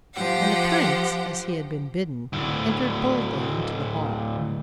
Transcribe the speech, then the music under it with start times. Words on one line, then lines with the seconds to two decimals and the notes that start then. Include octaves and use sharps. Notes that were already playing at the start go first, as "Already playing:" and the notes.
And the prince, as he had been bidden, entered boldly into the hall.
0.14 F3 G4 F#5
2.33 D2 A2